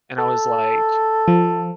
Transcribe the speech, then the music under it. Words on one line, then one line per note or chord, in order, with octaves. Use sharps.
And I was like,
A4
F3